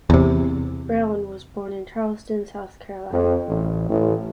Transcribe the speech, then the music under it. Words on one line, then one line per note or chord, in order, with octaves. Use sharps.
Brown was born in Charleston, South Carolina.
E2 C3
F2
A1
A1